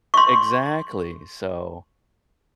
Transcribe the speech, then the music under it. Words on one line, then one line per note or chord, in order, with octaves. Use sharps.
exactly, so,
C6 C#6